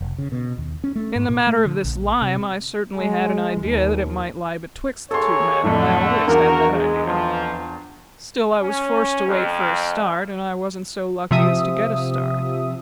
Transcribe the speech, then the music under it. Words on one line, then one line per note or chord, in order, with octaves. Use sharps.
In the matter of this lime, I certainly had an idea that it might lie betwixt the two men; I always had that idea. Still I was forced to wait for a start, and I wasn't so lucky as to get a start.
F1
C#3
B2
D#2
C#4
A3
G#2
A#2
A3
D3
A#1
C3
G#3
D#2
D#2 G#4 A4 C#5 C6
F2 A2 D3 A3
E2 A#3 D4 F#4 A#4
G#3
F2 E3 F3
C#4
F2
C3 F3 E5 D#6